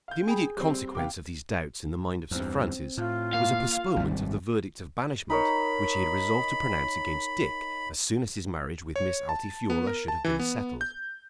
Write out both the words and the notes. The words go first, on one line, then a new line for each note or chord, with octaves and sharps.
The immediate consequence of these doubts in the mind of Sir Francis was a postponement of the verdict of banishment which he had resolved to pronounce against Dick as soon as his marriage with Miss Altifiorla should have been settled.
F5 G6
G#4 G5 G#5 B5
G3 C4
C3 B3 F5 G5 D6
E2 G2 C4
A2 F4
A#3 F5
G#1 C3 G3
D#4 A#4 C#5 B5
C#5
A5
B3
A#4
A5
E3
B3
G6